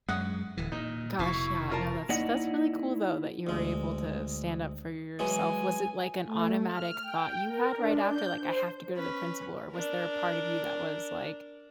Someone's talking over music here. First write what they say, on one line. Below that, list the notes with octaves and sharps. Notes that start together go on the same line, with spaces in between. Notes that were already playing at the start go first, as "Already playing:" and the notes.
gosh, yeah no that's that's really cool though, that you were able to stand up for yourself, was it like an automatic thought you had right after, like, “I have to go to the principal” or was there a part of you that was, like,
F#2 G#3 F#5 D#6
D1 E3
A#2 D#4
F1 B2 E4 C#6
F4 A#4 A5
A#3 D#4 E4 D5 D#5 F#5
D2 G#3
E3 F#3 G#3 G#5
A3
F6
G5
A#4
D4
G6
C5
C#4 B4
D4 A#4